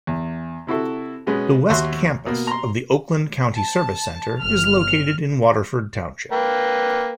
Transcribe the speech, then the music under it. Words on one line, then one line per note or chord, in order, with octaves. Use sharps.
The West Campus of the Oakland County Service Center is located in Waterford Township.
E2
C3 E4 F#4 A4
B2 G#3 B3 C#4
D#2 F#4 E5 C6 F#6
B2 A#3
A#5 C6
A5
G1 F6
A#3 B4 G5